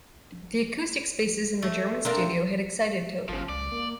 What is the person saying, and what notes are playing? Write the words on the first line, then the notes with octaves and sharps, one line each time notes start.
The acoustic spaces in the German studio had excited Tovey.
A3
C4 D4 A#4 F5
G1 C#3 F3
C#2 D5
A#3